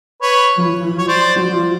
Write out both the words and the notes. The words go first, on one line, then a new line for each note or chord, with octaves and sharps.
Mhm. Mhm.
B4 C#5
C#5
C5 D5